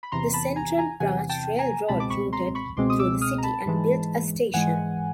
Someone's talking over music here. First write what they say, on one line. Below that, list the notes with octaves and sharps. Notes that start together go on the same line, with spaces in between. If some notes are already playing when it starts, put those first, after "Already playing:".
The Central Branch Railroad routed through the city and built a station.
B5
E2 C3 E3 A#5 C6
A5 B5
G#5 A#5
G#5 A#5
E2 C3 E3 F#5 G#5
G5 A5
G#5 A#5
C#2 B2 G#3 C4 A5 B5
D6
B5 C#6
A#5 C6
B5 C#6
C#2 B2 G#3 C4 C6 D6
D#6
D6 E6
D#6 F6
A#5
A5 B5
G#2 E3 G#3
G#2 E3 G#3 F#5 G#5